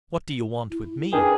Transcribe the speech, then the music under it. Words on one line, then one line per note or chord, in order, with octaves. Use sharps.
What do you want with me?'
E4
D4 G#4 A#4 B4 G5